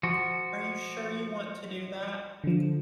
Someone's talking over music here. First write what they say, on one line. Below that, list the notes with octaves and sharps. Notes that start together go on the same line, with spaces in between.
Are you sure you want to do that?
F3 F#4
D3 F3